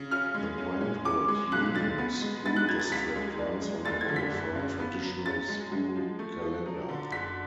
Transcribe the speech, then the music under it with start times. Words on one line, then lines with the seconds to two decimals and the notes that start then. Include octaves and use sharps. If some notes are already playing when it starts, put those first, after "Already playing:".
The Brentwood Union School District runs on a modified traditional school calendar.
Already playing: C#3
0.11 C#4 F6
0.35 G#3
0.58 C#4
0.81 G#3
1.05 C#4 D6
1.28 G#3
1.52 B1 F#6
1.74 G#3 A6
1.98 B3
2.21 G#3
2.45 B3 A6
2.56 F#6
2.69 F#3 G#6
2.79 A6
2.92 C#2 B6
3.16 G#3
3.38 D4
3.62 G#3
3.85 F1 A6
4.01 G#6
4.08 D3
4.16 B6
4.32 F#1
4.55 C#3
4.79 B3
5.02 F#3
5.25 C#4 A6
5.49 G#3
5.72 G#3
5.96 F3
6.19 A3
6.42 F3
6.66 F#3
6.89 D3
7.12 F#1 B6